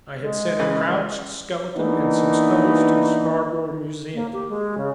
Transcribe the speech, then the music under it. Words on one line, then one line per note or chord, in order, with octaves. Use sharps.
I had sent a crouched skeleton and some skulls to the Scarborough Museum.
G#3
C#3 E3
E3 A#3 B3 D4 D#4
A#3
G4
G#3
C#3